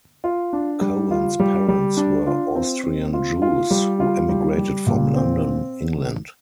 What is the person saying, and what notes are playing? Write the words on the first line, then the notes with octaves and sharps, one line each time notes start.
Cohen's parents were Austrian Jews who emigrated from London, England.
F4
D4
G3
F4
G3
G3
D4
F4
C4
C4
F4
F4
G3
F4
G3
G3
A#2
C4